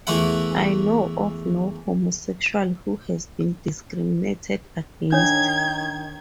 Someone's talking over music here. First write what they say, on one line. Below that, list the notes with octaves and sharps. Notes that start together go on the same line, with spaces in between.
I know of no homosexual who has been discriminated against.
E2 E3 A3 E4 F#5
D#3 D4 C#5 G#6